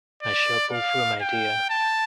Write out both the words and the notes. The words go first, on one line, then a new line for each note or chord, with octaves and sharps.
I shall pull through, my dear!
D5
F5
G5
A5